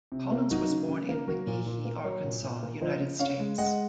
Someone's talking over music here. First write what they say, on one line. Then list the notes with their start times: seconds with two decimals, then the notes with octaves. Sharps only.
Collins was born in McGehee, Arkansas, United States.
0.12 C3
0.32 A#3
0.51 F#3 D#4 F#4
0.70 C#3
0.89 C#3
1.09 A#3
1.27 F#3 F#4 A#4
1.47 A#2
1.66 A#2
1.85 A#3
2.04 F#3 A#4 C#5
2.24 A#2
2.43 A#2
2.63 A#3
2.81 F3 C5 D#5
3.00 C#3
3.19 C#3 C#5 F5
3.39 G#3
3.58 G#3 D#5 F#5